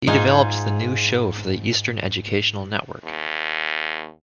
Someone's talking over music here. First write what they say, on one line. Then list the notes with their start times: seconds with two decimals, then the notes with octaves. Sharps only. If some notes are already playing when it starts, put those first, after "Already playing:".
He developed the new show for the Eastern Educational Network.
0.07 G#2 D#4 F4 G#4
3.04 D#2